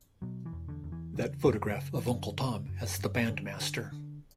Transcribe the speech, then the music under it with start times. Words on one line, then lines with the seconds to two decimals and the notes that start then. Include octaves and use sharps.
That photograph of Uncle Tom as the bandmaster.
0.22 B2 F#3
0.45 E3
0.53 E2
0.68 D3
0.84 E2
0.92 E3
1.15 C#3
1.46 F#2
1.76 C#3
1.96 E3
2.07 F#2 D3
2.38 C#3
2.69 F#2
2.99 G2
3.30 D3
3.60 D3
3.92 D3